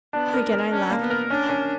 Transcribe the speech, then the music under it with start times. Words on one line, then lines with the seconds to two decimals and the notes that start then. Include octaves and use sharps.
Again I laughed.
0.13 B3 D4
0.34 A#4
0.52 A#4
0.72 C#4 D4
0.91 A#3
1.01 B3
1.10 A#4
1.30 C#4 D4
1.49 C#4